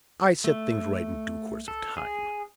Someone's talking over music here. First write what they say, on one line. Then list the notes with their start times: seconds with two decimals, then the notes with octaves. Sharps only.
I set things right in due course of time.
0.44 A3
1.68 A4
1.97 G#4